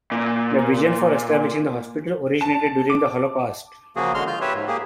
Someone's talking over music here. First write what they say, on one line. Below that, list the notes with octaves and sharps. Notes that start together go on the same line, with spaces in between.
The vision for establishing the hospital originated during the Holocaust.
A#2
A5
D6
C#3 F3 A#3 F#4 G#4
D3 G#3 F#4 C6 F6
F4 F6 G6
G4 B4 C#5 E5
G#2
A#3 G4 G#4